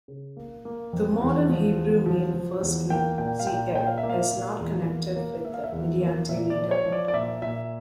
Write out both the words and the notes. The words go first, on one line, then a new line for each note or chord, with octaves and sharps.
The modern Hebrew male first name Ze'ev is not connected with the Midianite leader.
C#3
A#3
A#3
F2
E2
F3
E2
F3
F3
E2
A#3 G5
A#2 G5
F5
A#2 G5
A#2 G5
F5
E5
A#3
F5
A#2
E2
A#3
A#3
A#3 E5
F5
E5
E2
A#3
A#2 E5
D5
F3
C#5
F3
D5
D5
A#2 E5
A#2 E5